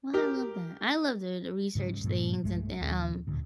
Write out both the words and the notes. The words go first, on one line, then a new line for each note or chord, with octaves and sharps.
Well, I love that. I love doing the research things and the, um
G4 A#4
G#2 C#3 E3 G3
G2 A#2 F3
B1 G2 G#3 A3
D#1 D#2
D#1 D2 A2